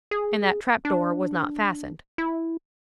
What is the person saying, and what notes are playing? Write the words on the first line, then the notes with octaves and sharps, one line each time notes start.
And that trap-door was not fastened.
G#4
D4
E4